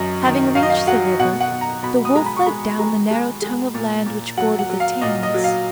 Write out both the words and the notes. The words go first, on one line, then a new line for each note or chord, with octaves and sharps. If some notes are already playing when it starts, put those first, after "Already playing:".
Having reached the river, the wolf led down the narrow tongue of land which bordered the Thames.
Already playing: F#2 F#3 D#5
D#3
F#2 F5
D#5
F5
F#3 F#5
B2 F#5
F#5
B2
A#5
B2 B5
D#6
G#3 A#5
B5
C#6
G#3 B5
G#3 A#5
G#3
G#3
A#2
A#2
F#3 F#5
F#5
F#3
F5
A#2 D#5
D#5
F#3
F5